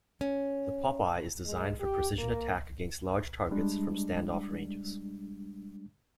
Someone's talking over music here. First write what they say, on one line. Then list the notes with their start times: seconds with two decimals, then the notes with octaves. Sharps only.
The Popeye is designed for precision attack against large targets from stand off ranges.
0.21 C#4
1.45 G#3
1.80 G4
2.18 A#3
3.51 G3 G#3 D4